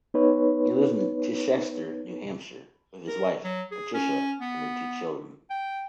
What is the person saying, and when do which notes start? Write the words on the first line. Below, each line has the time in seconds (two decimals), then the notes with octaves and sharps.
He lives in Chichester, New Hampshire with his wife, Patricia, and their two children.
0.14 B3 D#4 B4 C#5
3.08 A#4
3.44 F#3
3.72 G#4
3.94 C#4
4.41 B3
5.50 G5